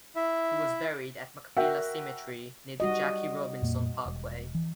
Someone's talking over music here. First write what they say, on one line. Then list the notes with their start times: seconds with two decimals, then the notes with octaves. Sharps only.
He was buried at Machpelah Cemetery near the Jackie Robinson Parkway.
0.16 E4 E5
1.57 F#4 A#4 E5 F#5 G5
2.80 G3 F#4 D#5
3.62 F2 A#2 A#3
4.05 E1
4.55 E3